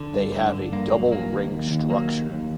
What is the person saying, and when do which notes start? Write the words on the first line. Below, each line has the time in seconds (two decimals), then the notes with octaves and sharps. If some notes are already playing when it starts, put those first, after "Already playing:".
They have a double ring structure.
Already playing: D3
0.13 G2
0.33 D3
0.53 D3
0.72 G2 A#3
0.92 F#3
1.12 F#3 A#3
1.32 D#2
1.51 D#2
1.71 D#2
1.90 F#3 A#3
2.10 D#2
2.30 D#2